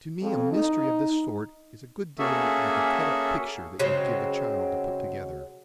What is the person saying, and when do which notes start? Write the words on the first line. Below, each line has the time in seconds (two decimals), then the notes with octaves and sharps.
To me a mystery of this sort is a good deal like a cut-up picture that you give a child to put together.
0.22 F2
0.52 D#4
2.19 A#3 C#4 F#4 G#4 A4 E5
3.79 C#3 F#3 G#3 C4